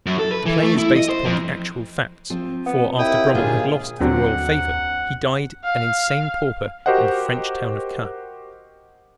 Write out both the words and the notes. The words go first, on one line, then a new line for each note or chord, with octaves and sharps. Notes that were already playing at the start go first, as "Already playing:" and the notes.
The play is based upon the actual facts; for after Brummel had lost the royal favor he died an insane pauper in the French town of Caen.
F#2
A4
B4
E3
A3
E4
D#5
C5
F2
F3 C4
B3
D#2 E4 G5 D#6
A#2 D3 F4 G#4
D#2 D3 F#3 C4 F#5
F5
F#4 G4 A#4 C5 D#5 F#5